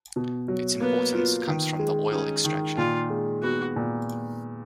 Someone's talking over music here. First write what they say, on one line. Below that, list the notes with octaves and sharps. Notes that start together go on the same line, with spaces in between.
Its importance comes from the oil extraction.
B2
F#3
A#3 B3
F4
D#3
G#3
C#4 D#4
D#3
A#2 F4
G#3
B3 F#4
A#2